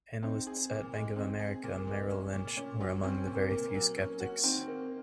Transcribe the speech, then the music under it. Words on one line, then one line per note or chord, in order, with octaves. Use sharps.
Analysts at Bank of America Merrill Lynch were among the very few skeptics.
C4 D#4
G#4
A#2
G#3
C4 D#4
G#4
A#2 A#3
G#3
C#4
A#2
A#2 C#4
F#3
C4 C#4
A#2
A#3
A#2
A#3
F#3
A#3 C#4
F#4
D#3 C4
A#3